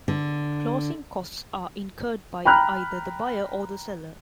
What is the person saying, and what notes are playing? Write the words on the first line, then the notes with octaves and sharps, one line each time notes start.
Closing costs are incurred by either the buyer or the seller.
D3
G5 A#5 B5 F6 F#6